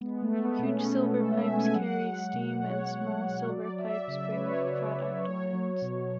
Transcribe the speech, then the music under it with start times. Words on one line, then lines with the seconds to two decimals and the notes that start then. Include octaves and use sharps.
Huge silver pipes carry steam and small silver pipes bring product lines.
0.01 G#3 B3
0.22 A3
0.30 G#3
0.44 B3
0.59 B2
0.65 C#4
0.88 B2
1.09 A4
1.17 G#3
1.32 E5
1.46 G#3
1.53 G#5
1.75 F#3 F#5
2.04 F#3
2.33 B2
2.62 B2 C#5
2.91 F#3
3.20 F#3
3.49 F#3 D5
3.78 F#3 E5
4.08 C#3 E5
4.32 B4
4.37 C#3 C#5
4.65 F#3
4.94 F#3
5.23 F#3 C#5
5.53 F#3
5.82 B2